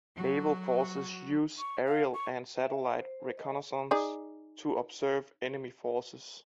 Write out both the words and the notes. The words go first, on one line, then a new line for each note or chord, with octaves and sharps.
Naval forces use aerial and satellite reconnaissance to observe enemy forces.
F#3 F#4
C#6
F5
C#6
E5
C5
D#5
D#4 G#4 D5